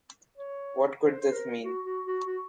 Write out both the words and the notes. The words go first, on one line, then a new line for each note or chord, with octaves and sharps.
What could this mean?
C#5
C5
C5
A#4
F#4
F#4
F#4
F#4